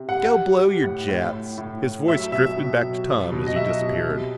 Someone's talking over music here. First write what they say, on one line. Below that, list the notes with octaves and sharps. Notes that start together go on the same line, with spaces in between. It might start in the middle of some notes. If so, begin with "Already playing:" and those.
"Go blow your jets," his voice drifted back to Tom as he disappeared.
Already playing: C3
G3 F#5
G3
G3
A2
A2
A2
A2
A2
F#3 E5
B2 E5
B2
F#3
F#3
B2
D#5
F#3 E5
B2
C3